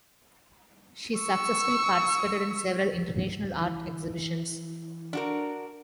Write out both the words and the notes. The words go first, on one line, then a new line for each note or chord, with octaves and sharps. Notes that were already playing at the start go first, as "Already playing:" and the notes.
She successfully participated in several international art exhibitions.
C#6 E6
E3
D4 F#4 A#4